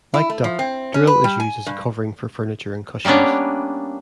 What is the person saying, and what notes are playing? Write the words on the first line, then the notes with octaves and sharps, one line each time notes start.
Like duck, drill is used as a covering for furniture and cushions.
E4
A3
F3
C4
C#4
B4
G3
G#5
G2
G3 A#3 B3 C#4 D4